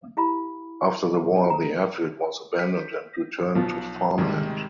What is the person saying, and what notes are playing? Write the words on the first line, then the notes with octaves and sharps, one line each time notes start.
After the war the Airfield was abandoned and returned to farmland.
E4 G4 F5 A#5 B5
A4 A#5
G6 B6
B1 B2 F3
G#1 C3 D#3 G3 G#3